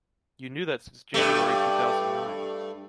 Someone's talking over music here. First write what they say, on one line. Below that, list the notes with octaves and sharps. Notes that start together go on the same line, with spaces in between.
You knew that since January two thousand nine.
G2 A3 G4